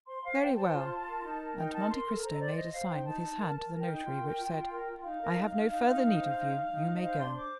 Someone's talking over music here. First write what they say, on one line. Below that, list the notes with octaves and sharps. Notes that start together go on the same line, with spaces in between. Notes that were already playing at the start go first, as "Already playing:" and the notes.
"Very well;" and Monte Cristo made a sign with his hand to the notary, which said, "I have no further need of you; you may go."
C5 C6
C5 F5
C5 G5
C5 A5
F4
F4
A#4
D#4
A#4
D#4 G5
A#4 A5
A#4 C6
A4
C5 A#5
D#5
C5 D5
C5 D#5
C5 F5
D#4 G5
D#4 A5
D#4
A#4
A#4 A5
A#4 A5
G5
D#4
F4
A#4
F4
F4
A#4
F4
D#4 F5
A#4
D#4
D#4
D#4
D#4
D#4
C5
D#4
D#4
D#4
D#4
D#5
C5 F5
D4 C6
C5 D6